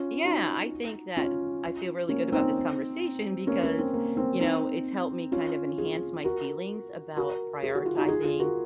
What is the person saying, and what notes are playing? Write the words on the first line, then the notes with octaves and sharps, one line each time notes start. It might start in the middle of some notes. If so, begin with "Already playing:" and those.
Yeah, I think that I feel really good about this conversation, because, you know, it helped me kind of enhance my feelings about prioritizing,
Already playing: C#4 F4
D#4 F#4
C#4 F4
A#3 C#4
C4 D#4
A#3 C#4
A#3 C#4
C4
A#3
C4
C4 D#4
C#4 F4
F4 G#4
F#4 A#4
F#4 A#4
G#4
F#4
F4
D#4 F#4
F4 G#4
F4 G#4
F#4 A#4